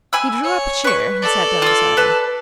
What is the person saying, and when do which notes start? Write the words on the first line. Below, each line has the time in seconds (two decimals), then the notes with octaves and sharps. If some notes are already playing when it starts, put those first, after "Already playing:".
He drew up a chair and sat down beside her.
0.13 G#5 B5 E6
0.43 C#5
0.84 B4 C#6
1.22 A4 D5
1.62 F4 E6
1.97 B4 A5